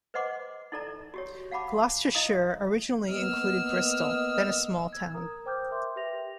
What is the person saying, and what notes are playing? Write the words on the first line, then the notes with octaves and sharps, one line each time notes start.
Gloucestershire originally included Bristol, then a small town.
B4 C5 D#5 F#5 C6 D6
D#4 E4 A4 D5 A#5
F#4 G4 C#5
F5 F#5 A5 B5 D6
E4 D#5 F5 A#5 D#6
A#3 B3 D#5 E6 F6
E6 G#6
A#4 A#5 D#6
C5 G5 D6 F6 G6
A#4 E5 C6 D6
G4 B4 E5 G5 A#6 F7